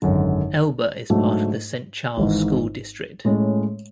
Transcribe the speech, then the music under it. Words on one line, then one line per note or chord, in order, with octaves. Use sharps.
Elba is part of the Saint Charles School District.
G#1 F#2 D3
G#2 F#3 A3 D4
G#1 G#2 E3
A2 G#3 C#4